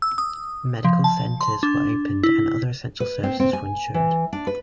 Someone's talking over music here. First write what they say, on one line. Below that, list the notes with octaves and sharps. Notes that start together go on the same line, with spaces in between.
Medical centres were opened and other essential services were ensured.
E6
D#6
F3
A5
C6
D4
E4
B4
C4
C4
G#5
E3
D4
B4